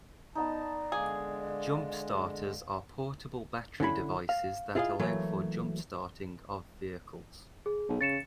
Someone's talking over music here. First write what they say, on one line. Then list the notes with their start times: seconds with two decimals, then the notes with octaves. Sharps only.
Jump starters are portable battery devices that allow for jump starting of vehicles.
0.35 B3 D#4 D5 A5
0.92 D3 G#3 G#4 F5 G#5 D6
1.90 G#5
3.80 D3 C#4 E4 B5
4.29 F5
4.75 E4 F4 G#4 C5 D#5 F5
4.99 E3 F#3 A3 A#3
7.66 G#4
7.89 B1
8.01 C#3 A6 C#7 E7